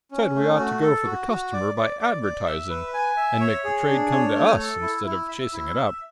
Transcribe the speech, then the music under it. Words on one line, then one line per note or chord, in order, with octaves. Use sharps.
Said we ought to go for the consumer by advertising, and make the trade come to us, instead of chasing it up.
C#4
A3
F#4
A4
F#4
F#4
D5
D5
D5
D5
E5
B4
G#5
E5
C#5
G#4
D4
C#5
A3
A4
E4
E4
E5
E4
E5